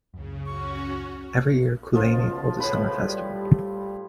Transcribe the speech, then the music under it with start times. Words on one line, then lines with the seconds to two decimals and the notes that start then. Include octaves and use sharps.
Every year Coolaney holds a summer festival.
0.14 C#2 F#2 C#3
0.46 C#4 F#4 C#6
1.95 C#2 B2 F3 F4
2.60 A2 B4 B5
2.99 G3